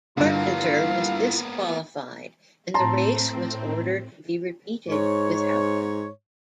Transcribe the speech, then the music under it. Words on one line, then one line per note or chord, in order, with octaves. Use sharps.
Carpenter was disqualified and the race was ordered to be repeated without him.
G2 D3 A#3 B3 E4 F4 F5
A2 C4 A5 A#5 C6
G#2 C#5